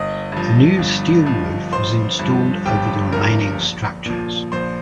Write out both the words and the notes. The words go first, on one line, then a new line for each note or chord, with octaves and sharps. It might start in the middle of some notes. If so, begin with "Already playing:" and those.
A new steel roof was installed over the remaining structures.
Already playing: G1 D#5 D#6
G2 F3
G1
G2 F3
G1 C5 C6
G2 F3
G1 G4 G5
G2 F3 A#4 A#5
A#1
A#2 F3
A#1 C5 C6